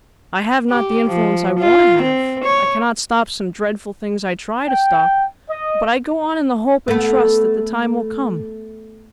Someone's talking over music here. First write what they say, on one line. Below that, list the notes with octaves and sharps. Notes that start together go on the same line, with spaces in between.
I have not the influence I want to have, I cannot stop some dreadful things I try to stop, but I go on in the hope and trust that the time will come.
G4
F3
F4
C4
C#5
G5
D#5
A3 B3